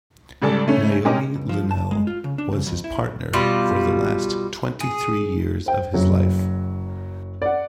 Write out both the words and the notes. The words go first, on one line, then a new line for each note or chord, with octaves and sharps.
Naomi Linnell was his partner for the last twenty-three years of his life.
G#2 C#3 G3 A4 D5 A5
C#3 A3 C#4
G#3 C#4 G4 A#4 D#5 D6
C#2
F3
A5
G#3
F4
C#3
D4
C#3
F2
E4
B2 G3 F4
G#4
C5 G5
F#1 F#3
D5 F#5